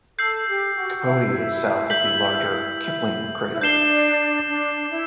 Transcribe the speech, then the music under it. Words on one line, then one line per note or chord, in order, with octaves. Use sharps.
Capote is south of the larger Kipling crater.
A4 E6 G6 C7
G4
F#4
F#4
E4
G6 B6 F#7
E4
D4 G6 C7 E7 G7
D4
E4